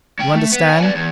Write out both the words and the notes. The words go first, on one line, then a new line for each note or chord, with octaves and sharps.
You understand?
F#3 G5
A3
B3
F5 G#5
B3 D5
E2